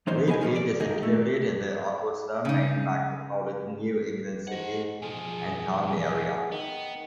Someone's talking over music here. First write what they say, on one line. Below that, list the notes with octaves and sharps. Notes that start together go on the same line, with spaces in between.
Readfield is included in the Augusta, Maine micropolitan New England City and Town Area.
E3 F3 D#4 C5 C#5
B3 G4 D#5 G5 G#5
D#3 F3 G3
D5
B1 G2 D#3 D#4 G#4 A#4
A3
C#3 D#4
G#2 G4 F#5
B2 F3 G#4
G#4
D#3 B3